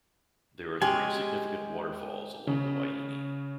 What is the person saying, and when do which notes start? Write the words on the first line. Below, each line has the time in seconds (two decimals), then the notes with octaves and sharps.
There are three significant waterfalls along the Waini.
0.82 G#3 C#4 G4 G#5 C6
2.47 C#3